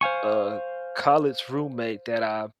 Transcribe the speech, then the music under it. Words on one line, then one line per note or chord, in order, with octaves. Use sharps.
a college roommate that I
C5 F5 G#5 C#6